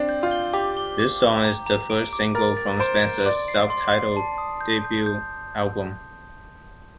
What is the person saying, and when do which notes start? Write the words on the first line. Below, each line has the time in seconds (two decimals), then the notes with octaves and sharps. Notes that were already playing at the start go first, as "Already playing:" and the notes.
This song is the first single from Spencer's self-titled debut album.
Already playing: C4 D4
0.09 G6
0.23 F4
0.31 G7
0.53 G4 D6
0.77 G7
0.99 D6
1.22 D6
1.45 A#5
1.66 A#5
1.90 D7
2.13 D6
2.35 A#4 A6
2.57 A6
2.80 C5 D7
3.03 D7
3.26 D5 C6
3.48 C7
3.70 C6
3.93 C7
4.16 A5
4.38 D#6
4.61 G6
4.84 G6
5.06 G6